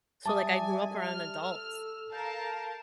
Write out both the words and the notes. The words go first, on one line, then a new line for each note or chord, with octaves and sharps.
So like I grew up around adults.
G3 E5 G#5 A5 D6 D#6
F6
A4 E6
A#4 F5 A5 G6